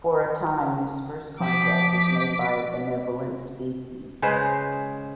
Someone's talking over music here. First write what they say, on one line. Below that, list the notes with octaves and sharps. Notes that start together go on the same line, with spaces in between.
For a time, this first contact is made by a benevolent species.
F3 D6 B6
C#3 G#3 B4 C5